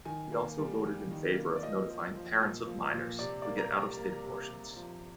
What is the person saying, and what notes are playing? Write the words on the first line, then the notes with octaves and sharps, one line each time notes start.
He also voted in favor of notifying parents of minors who get out-of-state abortions.
D#3 G#5
A#3
G3
G3
D#3
A#3
D5
F3 D#5
F3
F3
A#2
F3
A#2
C3 D5
A#3 D5
A#5
G3
A#3
C3
C3
F3